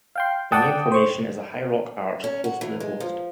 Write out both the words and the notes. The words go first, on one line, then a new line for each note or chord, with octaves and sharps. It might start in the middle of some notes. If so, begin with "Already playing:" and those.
The main formation is a high rock arch close to the coast.
F5 G5 C6
D5 F#5 G5 A5 D#6
C5 C#6
C#4
F#4
E3
G#3
F3